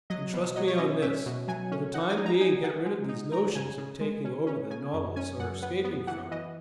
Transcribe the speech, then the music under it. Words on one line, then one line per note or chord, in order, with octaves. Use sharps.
And trust me on this: for the time being, get rid of these notions of taking over the Nautilus or escaping from it.
F#3 D#5
B2
F#3 D#5
C#5
C#4 D#5
C#4 E5
B2
F#3 G#5
C#4
D#4 F#5
G#5
D#4
A#5
D#4 G#5
D#4 F#5
G#3
D#4
D#4 A#5
C#3 G#5
C#3
G#3
C#4
C#4
C#3 G#5
F#2
C#4 G#5
F#2 F#5
B3 F#5
B3
E3 F#5
E3 D#5